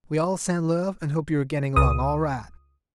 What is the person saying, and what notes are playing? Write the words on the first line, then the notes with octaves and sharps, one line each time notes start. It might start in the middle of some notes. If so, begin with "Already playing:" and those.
We all send love, and hope you are getting along all right.
C#2 D#6